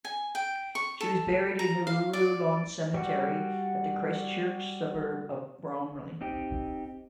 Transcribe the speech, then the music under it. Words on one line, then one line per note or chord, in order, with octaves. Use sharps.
She was buried at the Ruru Lawn Cemetery in the Christchurch suburb of Bromley.
G#5
G5
C#6
A4
A#5
F5
D5
G3 F#4
C4 D#4 G4